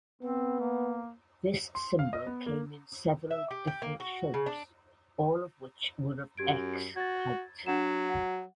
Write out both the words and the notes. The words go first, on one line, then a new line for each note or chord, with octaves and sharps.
This symbol came in several different shapes, all of which were of x-height.
B3 C4
A#3
C6
F5
D#5
B3
A#3
E5
G4
G4
A#3
F#4
C#3
D4
F#2 G4 G#6 D7
F#4 G#6 A6
F#3 D4 F#5 E7
F#5